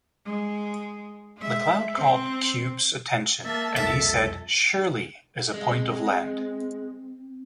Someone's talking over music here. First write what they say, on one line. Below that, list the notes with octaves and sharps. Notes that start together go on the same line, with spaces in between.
The cloud caught Kupe's attention and he said "Surely is a point of land".
G#3
G#3 E5
C4
A#3 E5 A5
C2 F2 A4 E5
G#3 C4